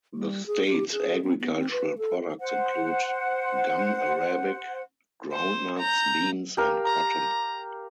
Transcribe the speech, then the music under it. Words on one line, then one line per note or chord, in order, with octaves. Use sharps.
The state's agricultural products include gum arabic, groundnuts, beans, and cotton.
G3
G#4
G4
G#4
C4
B3
C4
B4
A4
C5 F#5
C5
A#5 G6
G4 A#4 F5
A#5